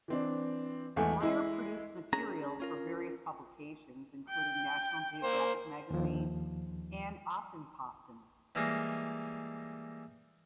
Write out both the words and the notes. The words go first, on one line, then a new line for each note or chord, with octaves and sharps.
Meyer produced material for various publications including National Geographic Magazine and Aftenposten.
E3 C4 D4
G#1 E2 A3
G#3 E4
C#4 D4 G#4 A#5
C#4 F4 A#4
G5
A#3 C5
D#2 F3
E3 G3 G#3 A#3 G#4 A#4